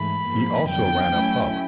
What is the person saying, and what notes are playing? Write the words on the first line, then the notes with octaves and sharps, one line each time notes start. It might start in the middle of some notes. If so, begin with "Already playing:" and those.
He also ran a pub.
Already playing: G#2 E3 A3 B5
G#2 F3 A#3
F2 D3 F#3 B3 G5
A2 F#3 A3 C#4 E4